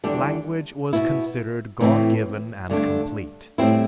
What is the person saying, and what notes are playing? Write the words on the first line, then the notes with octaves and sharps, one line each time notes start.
Language was considered God-given and complete.
E2 D3 G3 D4
B2 B3 E4
A2 E3 A3 C4 E4
G2 D3 A3 D4
A2 G3 C4 E4